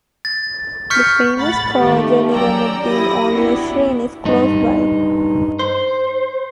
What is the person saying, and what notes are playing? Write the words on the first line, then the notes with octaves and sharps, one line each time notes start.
The famous Khawaja Nizamuddin Aulia shrine is close by.
A6
C#6 F6 G6 B6 C#7
A2 F#5 B5 A6
D#3 F3 A3 G4
F#3 C#4 D5 G5 A#5 E6
E4 G4 D#6 A#6
B3 D4 E4 F#4 G4
G2 D#4
C5